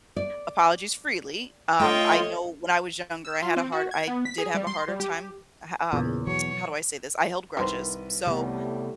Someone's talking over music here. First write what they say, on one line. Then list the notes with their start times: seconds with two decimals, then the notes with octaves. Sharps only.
apologies freely. Um, I know when I was younger, I had a hard I did have a harder time h um, how do I say this? I held grudges, so
0.16 D5
1.80 A3 F4 C#5 D#5 G5
3.25 E6
3.42 F4
3.56 C4
3.72 F#4
3.91 G#6
4.08 B3
4.25 B6
4.38 G#4
4.55 G3
4.67 C6
4.88 G3
5.00 G4
5.93 E2 A#2 C#3
6.27 B2 E3 F#3 C#5
7.57 C2 D#3 B4 C5
8.27 A2 C3 G3 A3 B3